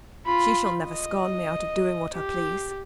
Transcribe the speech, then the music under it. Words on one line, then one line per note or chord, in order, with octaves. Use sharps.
She shall never scorn me out of doing what I please.
F4 B5
D#5
G4